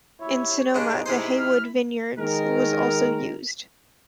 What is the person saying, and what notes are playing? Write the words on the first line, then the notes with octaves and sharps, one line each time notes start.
In Sonoma, the Haywood Vineyards was also used.
E4 G4 C#5
C#3 G#3 D4 D#4
C3 E4 G#4 C5 B5
F6
D#3 G#3 A#4